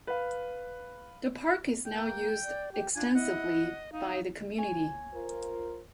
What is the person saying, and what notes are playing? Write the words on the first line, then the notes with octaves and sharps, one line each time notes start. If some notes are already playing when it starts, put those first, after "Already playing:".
The park is now used extensively by the community.
B4 F5
A#3 G5
D5
G4
D4 F4 G#5
E4 D#5 F#5
D#4 F5
C#5 G#5
F4 A#4 C5